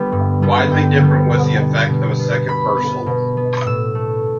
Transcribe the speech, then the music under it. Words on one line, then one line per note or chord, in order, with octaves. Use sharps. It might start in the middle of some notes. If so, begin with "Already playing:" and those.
Widely different was the effect of a second perusal.
Already playing: D3 G3 B3 G5
G2
D3 G3 B3
G2 G5
D3 G3 B3
B2
B3
B2
B3
B2 B5
B3
B2
B3
A2 E6
A3